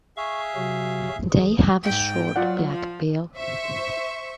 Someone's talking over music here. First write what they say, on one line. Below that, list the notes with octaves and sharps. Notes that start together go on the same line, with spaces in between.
They have a short black bill.
G#4 E5 F5 C#6
C3 F#3 F#4
E3 G#4
G#2 G5
F#3 F4 D5 F#5
F3
C5 E5 C#6